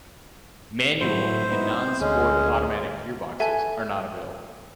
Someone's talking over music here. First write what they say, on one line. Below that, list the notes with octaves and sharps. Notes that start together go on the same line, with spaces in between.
Manual and non-sport automatic gearboxes are not available.
A2 F#3 E4 C5
B3 D#4 E4
C4
D2 G#3 C#4 G#4
A4 B4 E5 G#5